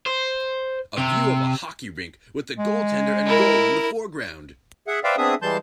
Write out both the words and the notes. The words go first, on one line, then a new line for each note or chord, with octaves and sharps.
A view of a hockey rink with the goaltender and goal in the foreground.
C5
C3
G#3
E4 A#4
G#4 E5 F#5
B4 C5 D5 E5 F5 G5
B3 C4 D4 G#4 E5 D#6
E3 G3 G#3 A5 C6 G6